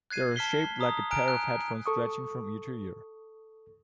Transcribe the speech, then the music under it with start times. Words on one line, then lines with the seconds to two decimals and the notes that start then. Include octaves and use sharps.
They are shaped like a pair of headphones stretching from ear to ear.
0.11 F#6 G#6 C7 D#7
0.36 A5 F6 B6 C7 G7
0.80 A#5 D#6
1.11 G#5 A#5 F6 F#6 D7
1.28 F#6
1.86 A4 C#6 D#6